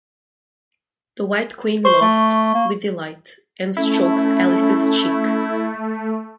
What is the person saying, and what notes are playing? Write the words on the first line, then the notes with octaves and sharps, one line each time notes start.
The White Queen laughed with delight, and stroked Alice’s cheek.
C5 C#6 G7
A3
A#3
A3 C#4 E4